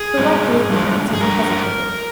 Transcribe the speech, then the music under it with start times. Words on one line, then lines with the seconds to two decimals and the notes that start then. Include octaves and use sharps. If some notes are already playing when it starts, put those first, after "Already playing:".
For one brief moment Susan hesitated.
Already playing: G#4
0.18 G2 F3 G#3
0.70 G2 F3 G#3
1.13 G#4
1.21 G2 F3 A#4